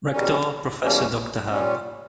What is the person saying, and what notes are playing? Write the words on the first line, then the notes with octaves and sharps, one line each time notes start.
Rector: Professor dr hab.
E2 B2 G3 A#3 C#4
E2 B2 G3 A#3 C#4
A#2 G3 C#4